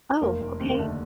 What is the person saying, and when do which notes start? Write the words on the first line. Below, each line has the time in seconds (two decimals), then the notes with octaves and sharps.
Oh, okay.
0.22 F1 A#3
0.41 F1
0.60 D#2 C4
0.70 A#3
0.79 D3 A3